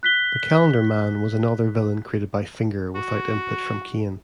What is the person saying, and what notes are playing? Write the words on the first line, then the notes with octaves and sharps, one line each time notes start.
The Calendar Man was another villain created by Finger without input from Kane.
F#6 B6 G7
F#4